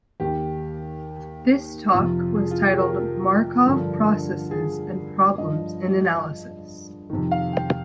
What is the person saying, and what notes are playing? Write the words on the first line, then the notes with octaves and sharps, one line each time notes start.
This talk was titled "Markov processes and problems in analysis".
D#2 D#3 G4
F2 C3 F3 F4
G#4
F4
G4
G#4
A#4
G2 D3 F3
G#4
G2 F3 D#5
F2 C3 D#3
F5
G5